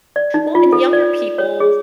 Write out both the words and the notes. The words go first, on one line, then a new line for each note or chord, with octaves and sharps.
Well, and younger people,
D5
D#4
F4
A4
D5
C#5
G#4